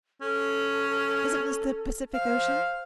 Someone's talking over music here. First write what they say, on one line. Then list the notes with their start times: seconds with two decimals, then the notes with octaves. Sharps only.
"Isn't this the Pacific Ocean?"
0.21 C#4 A4
2.14 C5 F5